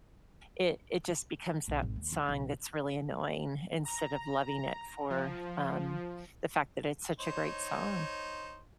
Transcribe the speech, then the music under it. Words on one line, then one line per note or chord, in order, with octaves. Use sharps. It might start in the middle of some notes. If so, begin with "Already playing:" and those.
it it just becomes that song that's really annoying instead of loving it for, um, the fact that it's such a great song.
B1
G#1
D#2
C#2
B1
A#5
F3
D#4 C5 C#5